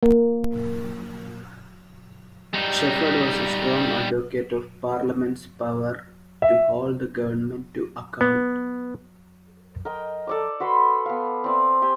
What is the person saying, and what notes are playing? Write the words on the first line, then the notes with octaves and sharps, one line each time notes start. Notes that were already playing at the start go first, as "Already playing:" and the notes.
Shepherd was a strong advocate of Parliament's power to hold the government to account.
A#3
G3 D#4
E5
B3
A#4 D#5 G5
A4 D5 D6
F#4 B4 B5 C6
B3 F5
C4 D5 E5
G4 G5 G#5